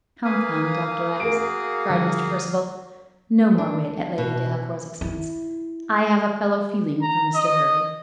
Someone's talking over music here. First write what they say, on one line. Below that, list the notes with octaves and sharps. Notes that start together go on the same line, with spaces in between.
"Come, come, Dr. X----," cried Mr. Percival, "no more wit at Lady Delacour's expense: I have a fellow-feeling for Mr. Hervey."
A#3 B4 F5 G#5 D#6
F#4 G#4 A#4 D7
D3 F3 G3
D4
B2
E4
A#5
D#5